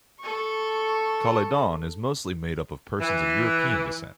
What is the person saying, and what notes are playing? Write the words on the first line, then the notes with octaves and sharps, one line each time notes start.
Caledon is mostly made up of persons of European descent.
A4 C#6
E3